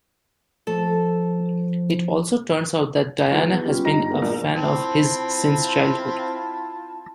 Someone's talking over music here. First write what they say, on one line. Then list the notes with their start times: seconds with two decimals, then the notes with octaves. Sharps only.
It also turns out that Diana has been a fan of his since childhood.
0.67 F3 A3 A4
3.32 F#3 E4 G#4 B4
3.51 B3
3.65 G3 C#4 F4
3.85 G1 D#4 A#5 A#6
4.09 G#3 A#3 B3
4.22 A#1 A#4
4.56 C4 E4 F4 A5